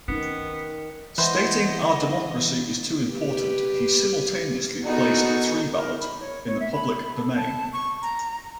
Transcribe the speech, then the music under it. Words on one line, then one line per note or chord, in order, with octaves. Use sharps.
Stating "Our democracy is too important", he simultaneously placed ThreeBallot in the public domain.
D#3 B3 C#4 D#4
E3 G#3 C5 D#5 E5 F#5
G4 B4
B3 D#4 F#4 G#4 A4
A#4
B5
C#5
C#5
E5
B5
A4
A5
C#6
A#5